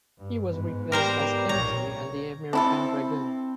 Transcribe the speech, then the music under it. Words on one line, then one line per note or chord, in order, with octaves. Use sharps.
He was replaced by Spanky and The American Dragon.
G2
G#2 B3
G4 A#4 C5 D5 G5 A#5
B1 A#2 C#5 A#5
C4 D4 E4 A4